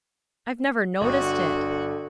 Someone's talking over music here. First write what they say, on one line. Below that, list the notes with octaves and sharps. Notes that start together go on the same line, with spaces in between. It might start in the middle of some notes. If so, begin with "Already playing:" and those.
"I've never noticed it."
G1 D3 F#4